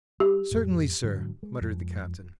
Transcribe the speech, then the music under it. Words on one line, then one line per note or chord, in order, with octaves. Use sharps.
"Certainly, sir," muttered the captain.
G3 G4
F2 A2
G#2 D3 F#3
G#3
F2 F3 G#3